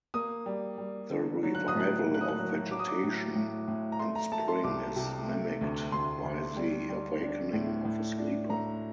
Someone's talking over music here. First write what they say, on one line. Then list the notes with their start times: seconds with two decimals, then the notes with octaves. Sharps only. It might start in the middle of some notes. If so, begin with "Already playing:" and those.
The revival of vegetation in spring is mimicked by the awakening of a sleeper.
0.14 A#3 D#6
0.46 G3
0.78 G3
1.10 D3
1.43 F#3
1.55 F#6
1.68 D#6
1.75 A2
1.80 F#6
2.07 A#3
2.14 F#6
2.21 D#6
2.28 F#6
2.39 F#3
2.71 F#3 D6
2.79 D#6
2.88 D6
3.04 A2
3.35 A2
3.68 A2
3.92 A#5
3.99 A3 C6
4.16 A#5
4.32 A3 A5
4.48 C6
4.64 C2 D6
4.96 C3
5.29 A3
5.61 D2
5.92 D2 C6
6.25 D2
6.56 G3
6.89 G3
7.21 D4
7.53 A2
7.85 A2
8.18 D4
8.50 A2 A#5